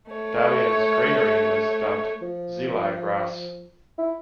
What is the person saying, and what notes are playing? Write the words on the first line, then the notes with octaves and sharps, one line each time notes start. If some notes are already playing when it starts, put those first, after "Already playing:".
Dalian's greenery was dubbed "Xilai Grass".
A3 C#5
F3
E4